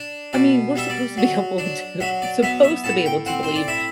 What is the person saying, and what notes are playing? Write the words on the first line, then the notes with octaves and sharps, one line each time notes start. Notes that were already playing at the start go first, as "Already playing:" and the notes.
I mean, we're supposed to be able to, supposed to be able to believe
Already playing: D4
B2 D5
G3 E5
D5
F#3
D4
F#3 E5
D5
B3 E5
E5
A2 A5
G5
C4 F#5
C5
D5
E4 E5